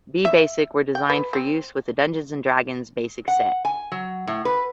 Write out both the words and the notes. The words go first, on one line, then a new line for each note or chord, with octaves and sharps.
B-Basic were designed for use with the "Dungeons and Dragons" Basic set.
E5
G5
B4
C4
F#5
G#5
F#3
A2
B4